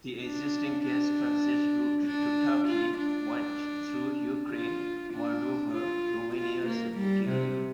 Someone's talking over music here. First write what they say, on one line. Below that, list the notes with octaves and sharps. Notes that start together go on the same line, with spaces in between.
The existing gas transit route to Turkey went through Ukraine, Moldova, Romania, and Bulgaria.
D4
D4
D4
F4
D4
F4
D4
F4
F4
A#3
G3
C3